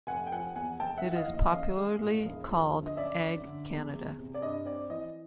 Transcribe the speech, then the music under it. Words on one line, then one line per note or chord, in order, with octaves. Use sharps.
It is popularly called Ag-Canada.
F1 F#5 G#5
G5
F3 F#5 G#5
E2 F#5 G#5
F1 G5 A5
E5 F#5
E3
F#5
D#5 F5
D#2
D#5
A1 D#5 F5
G#3
A2
E1
F3
D2
D#5
F#2 D5 E5
F#2
D3
E2
E2
C3
D5
G2 D#5
C4 D5
E3 D#5